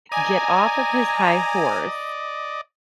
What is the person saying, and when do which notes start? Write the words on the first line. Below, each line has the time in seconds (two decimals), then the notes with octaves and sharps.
get off of his high horse
0.12 D5 D#5 G#5 A#5